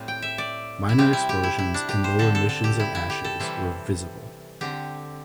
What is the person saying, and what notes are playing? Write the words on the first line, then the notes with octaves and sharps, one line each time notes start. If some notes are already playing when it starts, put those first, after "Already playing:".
Minor explosions and low emissions of ashes were visible.
Already playing: A2 G3 C4
G5
E5
D5
E4
C3 G3 C4 G4
E4
G4
E4
E4
D4
G4
C5
D3 C4 A4
A4
A4
G4
E4
E4
G4
A4
C3 E3 G3 C4 E4
D3 C4 G4